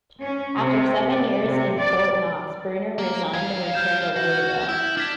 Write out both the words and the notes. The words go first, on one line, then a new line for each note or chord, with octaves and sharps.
After seven years in Fort Knox, Bruner resigned and returned to Louisville.
C#4
C3
D5
C3
D5
A#3
G3 F5 G#6
F6 G6 E7
F#4
E4
D4 F6 G#6 B6